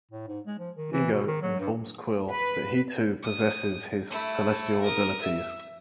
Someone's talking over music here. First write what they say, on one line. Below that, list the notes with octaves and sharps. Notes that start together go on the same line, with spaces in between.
Ego informs Quill that he too possesses his Celestial abilities.
A2
G#2
G#3
F3
D#3
E3
B2
D#3
F#3
G2
B4
D#6
A3 E4
A#4 D#6
E5